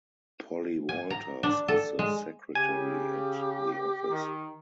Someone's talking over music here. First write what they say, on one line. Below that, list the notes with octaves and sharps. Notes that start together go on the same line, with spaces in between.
Polly Walters is the secretary at the office.
G#5
A#5
D4
A4
G#3
C#3 G4 G#5
D#3